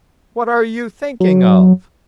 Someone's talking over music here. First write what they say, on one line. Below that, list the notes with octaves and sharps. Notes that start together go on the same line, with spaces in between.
'What are you thinking of?'
F#3